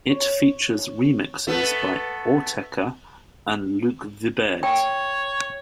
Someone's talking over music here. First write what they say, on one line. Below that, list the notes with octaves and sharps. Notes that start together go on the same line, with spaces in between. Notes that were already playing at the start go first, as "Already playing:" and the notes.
It features remixes by Autechre and Luke Vibert.
C#5
A3 B3
C#5 G5